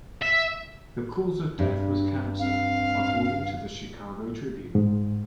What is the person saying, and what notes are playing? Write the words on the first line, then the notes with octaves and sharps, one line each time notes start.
The cause of death was cancer, according to the "Chicago Tribune".
E5
G2 D4
C4 F5
G#2